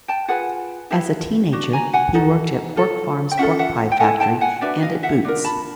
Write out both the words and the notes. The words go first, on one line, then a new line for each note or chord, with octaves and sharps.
As a teenager he worked at Pork Farms pork pie factory and at Boots.
G5 A5
F4 G#4 B4 F#5 G#5
E4 G4 B4
D4 F#4
G#5 A#5
F#5 G#5
D#4 F#4 A4
F4 A4
G5
C#4 F4 A4 E5 F#5
E5 F#5
G5
E4 A4 F#5 G#5
G5 A5
F#5 G#5
D4 F#4 B4 D5 E5
D#5 F5
E5 F#5
D4 F4 A#4
A5 B5